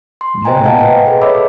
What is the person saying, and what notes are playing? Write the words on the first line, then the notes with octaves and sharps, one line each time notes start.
Yeah. Yeah.
C6
C5 D#5 G5 G#5 A#5
D#5 F5 F#5 G#5 A5
B4 G5 G#5
G#4 A4 B4
C#5 D#5 E5 B5 D6 E6